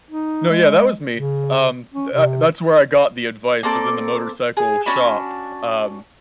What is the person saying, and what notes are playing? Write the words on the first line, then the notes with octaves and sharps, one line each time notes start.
No, yeah, that was me, um, the that's where I got the advice was in the motorcycle shop, um
D#4
G#3
C#3
C#4
C3
A#3 C4 A4 D5
G#4
C#4 D4 F#4 B5